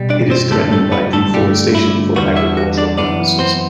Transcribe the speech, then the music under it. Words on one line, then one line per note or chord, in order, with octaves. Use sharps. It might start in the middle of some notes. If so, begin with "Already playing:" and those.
It is threatened by deforestation for agricultural purposes.
Already playing: B2 G3
D4 D5
C4 C5
F#2 D3 G3 A3 A4
A3 A4
B3 B4
A3 A4
G2 D3 G3 A3 G4
E4
E2 D3 G3 B3 F#4
E4 E5
F#4
D4 D5
F#2 E3 B3 D4 D5
C4 C5